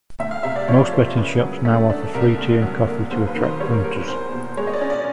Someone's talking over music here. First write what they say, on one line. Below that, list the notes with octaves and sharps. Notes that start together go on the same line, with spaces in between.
Most betting shops now offer free tea and coffee to attract punters.
D2 E5
F5
C3 E5
D5
F3 C#5
A#3 C5
C#3 B4
F#3
A3
D4
C2 A#4
A#2
F#3
A#3
D#2 C5
B4
D#3
C5
G3 C#5
A#4
A#3 A#4
B4
E2 C5
B2
G#3 C#5
D#5
D5
C#4
D5